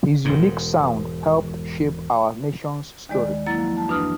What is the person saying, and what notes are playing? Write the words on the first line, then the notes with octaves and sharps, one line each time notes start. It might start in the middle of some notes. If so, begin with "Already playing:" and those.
His unique sound helped shape our Nation's story.
E1 G#2
D#2 D#3 G#3 D5
F#3 A#3 E4 A#5 A6
F3
A5
F#2 E3 D4 B4 D#6 F6